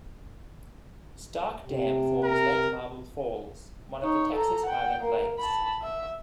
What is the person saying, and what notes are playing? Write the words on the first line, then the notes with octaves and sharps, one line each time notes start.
Starcke Dam forms Lake Marble Falls, one of the Texas Highland Lakes.
C3
A#4
D#4 C#5
A4 A#5
F#5 G5
A#3 A#4
A5 B5
E5